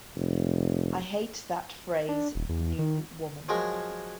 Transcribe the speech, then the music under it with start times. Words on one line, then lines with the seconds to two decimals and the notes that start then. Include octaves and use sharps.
I hate that phrase New Woman.
0.15 F1
2.09 D4
2.35 D#1
2.49 E2
2.79 D#3
3.49 F3 F#3 G#3 A#4